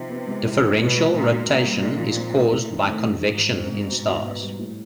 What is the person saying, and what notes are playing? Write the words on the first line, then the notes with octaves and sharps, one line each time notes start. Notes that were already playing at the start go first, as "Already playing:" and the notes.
Differential rotation is caused by convection in stars.
Already playing: C3 F3 D#4
B3
G#3
E4
F3
B2 B3
G#3
A#2 D#4
B2
A#2 C4
G3
D#4
F3
C4
A3
A#2 E4
D#3
A2 C4
G#3
G#2 F3
F3
G#2 C4
G#3
B2
B2
B3
G3
A2